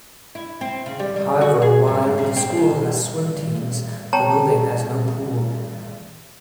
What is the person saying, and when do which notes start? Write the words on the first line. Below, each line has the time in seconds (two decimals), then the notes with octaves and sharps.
However, while the school has swim teams, the building has no pool.
0.35 E4
0.61 C4
0.86 C#3
0.99 G3
1.16 G3
1.41 F#4
1.62 G#4
1.87 G2
2.02 G#2
2.18 C#3
2.36 C4
2.57 C3
4.13 C#5 G5 A5 A#5